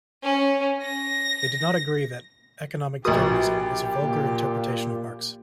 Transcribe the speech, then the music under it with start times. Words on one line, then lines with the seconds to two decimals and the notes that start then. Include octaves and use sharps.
They did not agree that economic determinism was a vulgar interpretation of Marx.
0.23 C#4
0.83 A#6
3.05 A#1 F#4 G4 A#4 B4 D#6
4.02 A#2